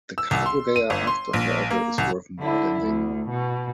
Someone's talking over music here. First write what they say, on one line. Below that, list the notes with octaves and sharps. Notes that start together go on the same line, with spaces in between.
The cargo they are after, however, is worth more than they know.
E6
C2
C6
D#7
G1
C6
A#1
A#3
C2
D3 E4
D2
B2